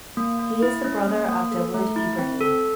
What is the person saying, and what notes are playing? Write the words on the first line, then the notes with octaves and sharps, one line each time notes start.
He is the brother of Dawood Ibrahim.
A#3
A#3
E4
C#4
A#3
A#3
A4
A3
E4
C4
A4